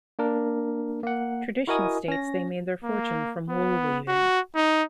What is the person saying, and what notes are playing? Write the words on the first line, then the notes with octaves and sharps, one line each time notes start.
Tradition states they made their fortune from wool weaving.
A#3 D4 A#4
A#3 F#5
E4 F#4 A#4 D#5 G#5 D#6
C#4 A#6
A#3
B3
F#4
D#4